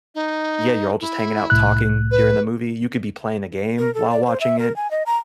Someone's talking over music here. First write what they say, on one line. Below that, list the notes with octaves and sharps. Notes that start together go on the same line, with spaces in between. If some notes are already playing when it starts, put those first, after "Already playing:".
yeah, you're all just hanging out talking during the movie. You could be playing a game while watching it.
D#4
E4
C2 A2 F#6
B4
A#4
A4
D5
C5
E5
A#4
G#5
D#5
A#5